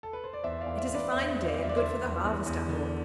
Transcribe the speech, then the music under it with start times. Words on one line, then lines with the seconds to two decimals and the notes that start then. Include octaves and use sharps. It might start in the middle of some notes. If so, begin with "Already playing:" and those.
It is a fine day, and good for the harvest, I hope.
0.03 A4
0.13 B4
0.24 C5
0.33 D5
0.43 E2 C5 E5
0.61 E2 D5 F5
0.78 C5 E5
0.88 E2
0.94 B4 D5
1.11 E2 C5 E5
1.28 C5 E5
1.34 E2
1.45 D5 F5
1.57 E2
1.62 E5
1.69 D5
1.76 D3 C5 E5
2.02 E2
2.25 E2
2.46 E2
2.69 D3